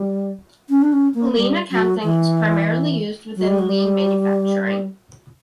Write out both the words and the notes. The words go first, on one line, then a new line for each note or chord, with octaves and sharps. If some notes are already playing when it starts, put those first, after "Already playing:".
Lean accounting is primarily used within lean manufacturing.
Already playing: G3
C#4
D4
C#4
A#3
G3
F#3
E3
F#3
G3
F#3
G3